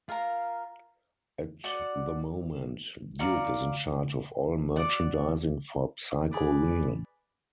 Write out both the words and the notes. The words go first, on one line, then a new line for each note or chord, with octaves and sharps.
At the moment, Duke is in charge of all merchandising for Psycho Realm.
F4 A#4 F5 A#5
F#4 D5 F#5
F#4 D5 F5 A#5
F#4 D5 F#5 D6
G#4 B4 D5